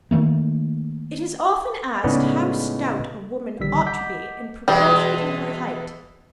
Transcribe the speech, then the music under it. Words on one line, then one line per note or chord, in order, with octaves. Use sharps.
It is often asked how stout a woman ought to be in proportion to her height.
D#3 F3 A3 A#3
A2 C#3 G#3 B3 D#4 D5
A#1 D3 D#3 G3 E6 B6
D#5 F#5 D6 G6 B6
B2 E3 G3 G#3